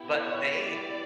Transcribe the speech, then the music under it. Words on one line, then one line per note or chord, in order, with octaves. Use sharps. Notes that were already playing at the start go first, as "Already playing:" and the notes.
but they
Already playing: B3 E4 G4
C#5
D5